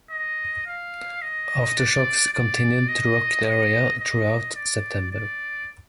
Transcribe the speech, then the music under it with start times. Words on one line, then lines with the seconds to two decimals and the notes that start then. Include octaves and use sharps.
Aftershocks continued to rock the area through September.
0.11 D#5
0.67 F5
1.22 D#5
1.77 D5
2.33 D5
2.88 D#5
3.44 D#5
4.00 D#5
4.55 D5
5.11 D5